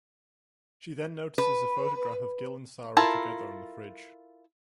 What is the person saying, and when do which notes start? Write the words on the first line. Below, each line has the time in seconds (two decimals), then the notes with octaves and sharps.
She then notices a photograph of Gil and Sara together on the fridge.
1.38 B4
2.97 E4 F4 A4 A#4